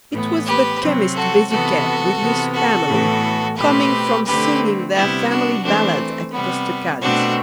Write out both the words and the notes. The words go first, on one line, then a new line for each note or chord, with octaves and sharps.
It was the chemist Bezuquet, with his family, coming from singing their family ballad at Costecalde's.
A2 E3 B3
G4 B4
C3 F#3 C4
F#4 A4
C3 E3 B3 F#4 A4
C3 E3 B3
F#4 A4
A2 E3 B3
B2 A3 C4 G4 B4
D3 A3 C4 G4 B4
C3 G3 B3 E4 G4
D4 F#4
E3 A3 C4 D4
C3 G3 B3
B2 A3 C4 D4 F#4